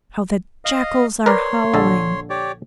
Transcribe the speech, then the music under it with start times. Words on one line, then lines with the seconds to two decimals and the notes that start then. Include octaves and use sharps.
How the jackals are howling....
0.65 D#5 F5
1.26 A#4 B4 C#5 D5 C6
1.74 A#1 D3 A4
2.30 G4 C#5 D5